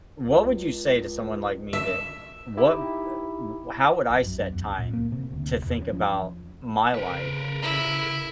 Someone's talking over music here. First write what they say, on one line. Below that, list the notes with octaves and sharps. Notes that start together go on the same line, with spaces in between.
What would you say to someone like me that what eh how would I set time to think about my life,
C#2
E5
D#4 E4 G4 E5
A#1
F#2
E2
C#2
A#2
A#3
C3
D2
D#1
E2
C#4
F3
C#3 A#4 B4
E4